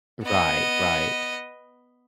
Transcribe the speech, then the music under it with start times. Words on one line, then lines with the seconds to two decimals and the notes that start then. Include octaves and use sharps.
Right, right.
0.23 B3 D#5